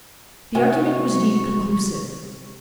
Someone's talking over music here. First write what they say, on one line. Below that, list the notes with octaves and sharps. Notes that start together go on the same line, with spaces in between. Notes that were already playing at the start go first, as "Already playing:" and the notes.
The argument was deemed conclusive.
C3 F#4 G#5 C#6